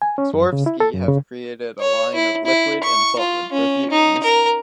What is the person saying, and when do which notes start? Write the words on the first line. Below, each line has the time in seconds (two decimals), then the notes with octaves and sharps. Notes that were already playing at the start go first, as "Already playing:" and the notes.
Swarovski have created a line of liquid and solid perfumes.
0.02 G#5
0.18 C#4
0.34 F#2
0.53 C#3
0.66 E4
0.80 A4
0.94 F#2
1.08 C#3
1.80 C#5
2.15 E4
2.46 E4
2.83 C#6
3.19 F4
3.52 C#4
3.91 D#4
4.23 A#4